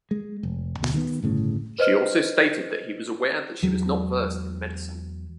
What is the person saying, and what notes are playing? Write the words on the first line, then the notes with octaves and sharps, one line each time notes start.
She also stated that he was aware that she was not versed in medicine.
G#3
F1
D2 B2
D#3 A3 B3
G1 A2 C#3
B4 C5 D#5 F6
E2 F#3 G#3